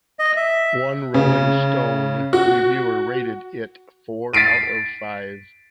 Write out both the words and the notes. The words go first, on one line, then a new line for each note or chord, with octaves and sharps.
One "Rolling Stone" reviewer rated it four out of five.
D#5
E5
C#3
F#4
A6 B6 C7 D7 D#7